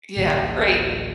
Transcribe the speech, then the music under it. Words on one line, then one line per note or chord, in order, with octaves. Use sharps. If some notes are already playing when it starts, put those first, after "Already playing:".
Yeah, great.
D1 A1 D3 A#3